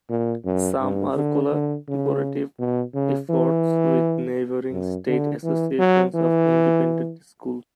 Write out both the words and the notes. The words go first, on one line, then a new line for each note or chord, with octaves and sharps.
Some are collaborative efforts with neighboring state associations of independent schools.
A#2
F#2
G2
D3
D3
C#3
B2
C#3
E3
F#2
D3
E3
F#3
E3